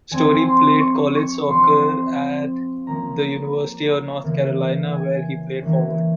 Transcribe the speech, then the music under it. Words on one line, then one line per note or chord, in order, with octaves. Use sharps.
Storey played college soccer at the University of North Carolina, where he played forward.
F3 C4 G#5
C6
C#6
C#6
F3 C4 C6
F3 A#3 C#4 A#5
C#3 E3 A#3 C#4
G#5
E3 A#3 C#4